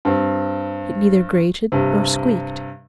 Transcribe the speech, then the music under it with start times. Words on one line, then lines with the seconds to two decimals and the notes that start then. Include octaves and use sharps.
It neither grated nor squeaked.
0.05 G2 C4
1.72 G2 C3